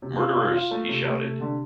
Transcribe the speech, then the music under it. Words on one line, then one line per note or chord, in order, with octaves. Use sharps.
"Murderers," he shouted.
C3
F4
F4
F4
A3
C3
A3
C3
D3